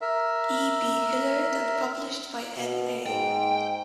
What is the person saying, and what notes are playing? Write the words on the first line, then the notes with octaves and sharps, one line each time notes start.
E. B. Hillard and published by N. A.
A#4 E5
B2
G#2 G5